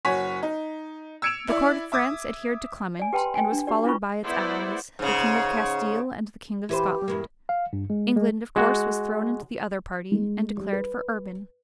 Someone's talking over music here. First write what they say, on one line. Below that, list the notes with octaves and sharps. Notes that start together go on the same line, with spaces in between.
The court of France adhered to Clement, and was followed by its allies, the king of Castile and the king of Scotland: England of course was thrown into the other party, and declared for Urban.
F#1 F#4 C#5 G#5 B6
D#4
E6 G#6 C#7 D7 E7 F7
E4 D5 E5
E5 D6 D#6 G#6
D5 G#5
G4 B4 G5 A5 B5 C6
G5 G#5
D4
F#4 G4 D5
D4 E4 F4 B4 B5 C#6
G#3 B3 E4 C5 D5 F#5
G#2 C#3
E3 G4 B4 C5
E2 G2 A#3
F5
G2
G#3
G#3
G#3 F#4
G#3
G3
B4